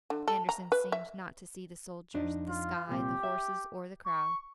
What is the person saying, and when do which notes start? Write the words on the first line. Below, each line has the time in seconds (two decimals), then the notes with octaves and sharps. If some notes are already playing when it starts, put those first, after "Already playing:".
Andersen seemed not to see the soldiers, the sky, the horses or the crowd.
0.10 D3
0.28 A4
0.49 A#5
0.72 B4
0.92 E5
2.14 F2 D4 D#4
2.49 F4
2.89 C2 A#2 C4 G4
3.23 E5
4.06 C#6